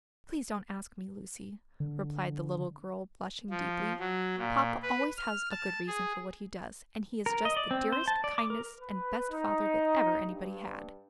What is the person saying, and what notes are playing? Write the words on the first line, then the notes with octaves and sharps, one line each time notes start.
"Please don't ask me, Lucy," replied the little girl, blushing deeply. "Papa always has a good reason for what he does, and he is just the dearest, kindest, and best father that ever anybody had."
D3
F3
F#3
A#2
B4
F6
A5
G#4
A#4
D#5
D5
C4
C5
A5
D5
D6
A#4
B4
D#4
G2